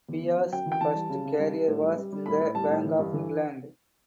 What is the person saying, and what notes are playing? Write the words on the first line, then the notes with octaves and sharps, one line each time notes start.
Fea’s first career was in the Bank of England.
E2
E2
F#3
F#2 G5
E3
G5
E3 A5
G3
C#3
C#3
G3
G3
A2
G3
G3
G3
A2 B5
A2
G3 A5
A2
E3
G2
E3